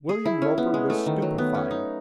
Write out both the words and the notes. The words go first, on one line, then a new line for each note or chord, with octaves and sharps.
William Roper was stupefied.
G#4
E4
C#4
B3
G#3
A3
D#3
F#3
B3
C#4
D#4